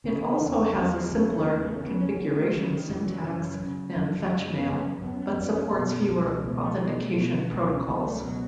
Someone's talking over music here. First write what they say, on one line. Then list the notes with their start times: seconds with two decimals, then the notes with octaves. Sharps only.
It also has a simpler configuration syntax than fetchmail, but supports fewer authentication protocols.
0.04 C#3
0.15 D#3
0.22 E3
0.36 C#4
0.40 E2 B3
0.57 C#4
0.70 B3
0.75 E2 C#4
0.93 G#3
1.12 C#3 F#3
1.28 A3
1.46 E2 G#3
1.64 A3
1.76 C#4
1.82 C#3 B3
2.00 C#4
2.17 C#3 B3
2.29 B3
2.35 A3
2.53 C#3 E3
2.72 D#3
2.89 F#2 E3
3.06 F#3
3.24 C#3 E3
3.42 F#3
3.60 C#3
3.96 F#2
4.20 F#3
4.30 C#3 G#3
4.54 B3
4.67 F#2
4.78 C#4
5.01 F#2 B3
5.20 B3
5.38 F#2 B3
5.55 C#4
5.66 A3
5.73 B2 B3
6.08 C#2
6.44 B2 A3
6.54 G#3
6.63 A3
6.80 B2 G#3
6.97 A3
7.15 B2 A3
7.29 A3
7.33 B3
7.51 C#2 B3
7.69 C#4
7.86 C#2 B3
8.04 A3
8.21 B2 F#3